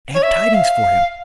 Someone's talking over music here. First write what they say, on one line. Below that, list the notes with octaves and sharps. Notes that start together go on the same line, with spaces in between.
I have tidings for him.
C#5
E5
F5